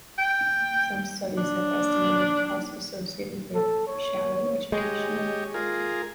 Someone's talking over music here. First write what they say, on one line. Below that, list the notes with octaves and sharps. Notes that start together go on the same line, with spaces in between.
Some studies have estimated costs associated with "shadow education".
G5
D4
A4
C#5
G#3 G4 C#5 D#5
F4 G#4 A#4